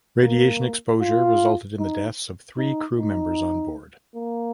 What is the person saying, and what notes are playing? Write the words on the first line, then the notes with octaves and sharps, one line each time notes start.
Radiation exposure resulted in the deaths of three crew members on board.
A#3
F4
D#4
D#4
D#4
A#3